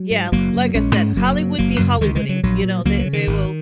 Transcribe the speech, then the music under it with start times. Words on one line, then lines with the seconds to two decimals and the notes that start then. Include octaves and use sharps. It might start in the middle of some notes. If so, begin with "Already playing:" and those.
Yeah, like I said, "Hollywood be Hollywooding," you know, they they will
Already playing: F#3
0.11 G#2
0.32 F#1 F#3 A#3
0.53 F#2 C#3
0.74 A#1 G#3 C#4
0.95 G#2
1.17 F#1 F#3 A#3
1.38 F#2 C#3
1.58 F#1 F#3 A#3
1.79 F#2 C#3 F#3 A#3
2.01 C#2 D#3 G#3
2.15 D#3 G#3
2.22 C#3
2.29 F#3
2.43 A#1 F#3
2.64 A#2
2.85 C#2 F#3 A#3
2.99 F#3
3.06 C#3
3.13 D#3
3.27 G#1